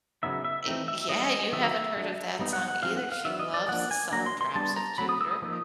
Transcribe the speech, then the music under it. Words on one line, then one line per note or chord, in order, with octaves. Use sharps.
eh, yeah, you haven't heard of that song either. She loves the song Drops of Jupiter,
C#3 F#3 B3 D#4 E5
E5
E3 A3 C4 D#4
E5
E3 G3 B3 D#4 D#5
D#3 F#3 A3 C4 E5
F#3 A3 D4
G3 B3 D#4
F#5
F#5
F3 G#3 C4 D#4 F5
F#5
F5
F#3 B3 D4 E5
D#5
D5
F3 A#3 D4 F#5
G#5
F#3 A#3 D4 A#5
C6
C6
G3 B3 D4 A5
A#5
F#3 A3 C4 B5
D#6
E6
D#6
F3 A#3 D#4